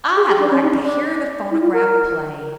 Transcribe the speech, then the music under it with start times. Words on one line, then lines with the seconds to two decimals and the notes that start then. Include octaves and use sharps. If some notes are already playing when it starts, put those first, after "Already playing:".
"I'd like to hear the phonograph play."
0.16 G#4
0.28 G4
0.39 D4
0.50 C#4
0.62 D#4
0.73 D4
0.83 D4
1.51 E4
1.62 F4
1.73 A#4